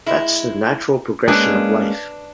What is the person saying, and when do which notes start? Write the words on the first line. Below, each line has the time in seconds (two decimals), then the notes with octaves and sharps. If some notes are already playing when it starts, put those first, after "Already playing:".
That's the natural progression of life.
0.06 G#3 E4
1.28 G#3 A#3 C#4 D4 B4 G#5